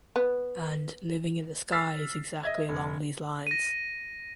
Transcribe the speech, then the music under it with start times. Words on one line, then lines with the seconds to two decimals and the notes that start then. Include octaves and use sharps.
And "Living in the Sky" is exactly along these lines.
0.16 B3
1.72 E6 F6 A6 B6 C7
2.43 D#5 E5 G#6
2.69 F1
3.47 A#6 D#7